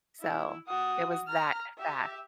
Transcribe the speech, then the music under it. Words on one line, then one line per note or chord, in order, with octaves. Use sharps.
So it was that fat.
E4 E5
F#4 D#6
A#5 F6
G4 E5